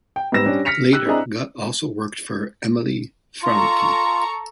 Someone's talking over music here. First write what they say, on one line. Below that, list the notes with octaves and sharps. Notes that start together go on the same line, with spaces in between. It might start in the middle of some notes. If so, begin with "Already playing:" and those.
Later, Gutt also worked for Emile Francqui.
G5
G#2 G3 B3 E6 A#6 E7
G3 C#4 D4
F6 A#6 B6 C#7 F7
G4 E6 F#6
C4 D4 E4 G#4 D#5 A#5
F4 A4 A#5 C#6